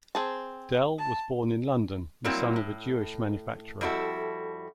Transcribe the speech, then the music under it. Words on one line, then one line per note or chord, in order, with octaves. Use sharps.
Dell was born in London, the son of a Jewish manufacturer.
C4 G#4 A5
A5
F#3 G3 A#3 C4 E4
A2
F2 G3 E4 F#4 A4